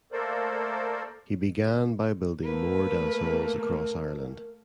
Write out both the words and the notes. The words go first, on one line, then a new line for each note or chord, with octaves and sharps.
He began by building more dance halls across Ireland.
A3 A#3 A4 A#4 C5 D5
A3 A#3 A#4 B4